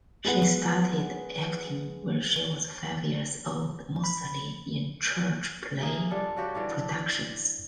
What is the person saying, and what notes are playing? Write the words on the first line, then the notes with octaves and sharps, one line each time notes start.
She started acting when she was five years old, mostly in church play productions.
G#3 B3 B4 F#5
B5
C3 A#3 G#4
G3 D4 F4 A4
C#3 F#4 G4
D3 E3 G3 D4